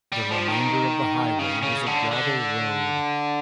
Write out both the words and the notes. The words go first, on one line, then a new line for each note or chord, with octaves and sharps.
The remainder of the highway was a gravel road.
G3
F3
D#3
C#3
C#3
D3
D3